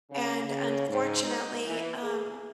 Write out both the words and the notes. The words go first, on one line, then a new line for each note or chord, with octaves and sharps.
and, unfortunately, um,
C#3
C#3
G#2
D#4
E3
G#4